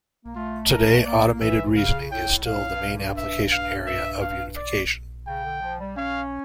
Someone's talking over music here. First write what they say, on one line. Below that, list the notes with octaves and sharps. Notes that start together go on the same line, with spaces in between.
Today, automated reasoning is still the main application area of unification.
A#3
A3 F4
A#4
A#3 D5
E3 E5
C#3 F5
A2 G5
A2 F5
G2
G2
E5
F5
E5
F5
D5
C#3 G5
D3
F3
G3
C#4 F5